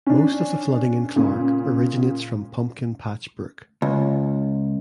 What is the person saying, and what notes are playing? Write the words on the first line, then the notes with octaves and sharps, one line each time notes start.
Most of the flooding in Clark originates from Pumpkin Patch Brook.
C#4 D4
A#2 C#3
C#2